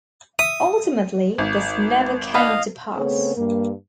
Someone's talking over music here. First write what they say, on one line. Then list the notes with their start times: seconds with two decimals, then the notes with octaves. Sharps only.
Ultimately, this never came to pass.
0.39 E5 D#6
1.38 G#1
2.34 B3 D4 B4 D#5 F5
2.95 C#3 A3 B3 C4 G#4 C#5
3.36 G2 A#3